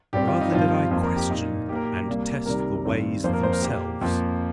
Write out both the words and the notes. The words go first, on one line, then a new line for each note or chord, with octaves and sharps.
Rather did I question and test the ways themselves.
G2 G3 C4 G4
F4
D#4
G2 F3 C4 F4
F2 F3 A#3 F4
A#4
G4
A#2 A#3 D#4
A#2 A#3 G4 A#4
G4
C2 C3 G3 A#3
C2 C3 D#3 G3 A#4
G2 D#3 C4
F2 F3 A#3 C5
A#4
C5
A#4
A#2 A#3 G4
F2 F3 A#3